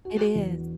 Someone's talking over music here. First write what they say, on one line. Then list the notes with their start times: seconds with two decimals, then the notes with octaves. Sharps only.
It is.
0.05 F#4
0.35 E2